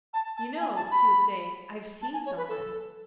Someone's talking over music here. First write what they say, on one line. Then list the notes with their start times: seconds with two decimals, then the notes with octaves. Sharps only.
"You know," he would say, "I've seen someone."
0.14 A5
0.37 A5
0.61 G#5
0.76 A5
0.91 B5
2.02 A5
2.13 G#5
2.26 C#5
2.37 B4
2.49 A4